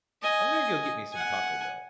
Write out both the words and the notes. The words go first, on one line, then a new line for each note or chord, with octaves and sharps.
I'm gonna go get me some Taco Bell
D#5 G#5
F#5 G#5